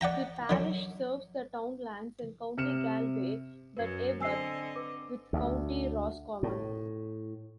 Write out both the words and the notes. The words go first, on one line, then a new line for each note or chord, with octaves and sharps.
The parish serves the townlands in County Galway that abut with County Roscommon.
D5 F#5 G5 A#5
D3 F#3 D4
C3 F6 C#7 E7
F#2 B4 G#6
D3 C4 D#5 G#5 E6 C7
B4 D6
D2
A2